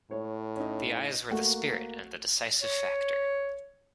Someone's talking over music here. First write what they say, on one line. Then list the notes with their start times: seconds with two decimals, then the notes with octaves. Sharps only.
The eyes were the spirit and the decisive factor.
0.11 A2 C#5
0.56 C#4 D#4
1.31 A3 A#3 F#4
2.61 C#5